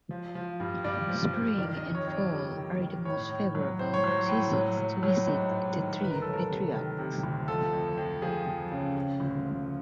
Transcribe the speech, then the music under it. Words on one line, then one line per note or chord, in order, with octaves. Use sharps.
Spring and fall are the most favorable seasons to visit th Three Patriarchs.
F3
F3
G2
G2 D5
F3
F3
D#3 D5
D#5
F2
C#5
F2 C#5
D5
G3
D#3
D#3
A2 C#5
A2
F#3
A2 C5
C#5
F#3 C5
A2
F#3
F#3
F#3
G#2
G#2
D#3
D2 B4
A#4
F#3 A4
A#4
C3
D#3
C3
D2
F3 A4
F2
F2
F3 G#4
F2
C#3
C#3
D2
F3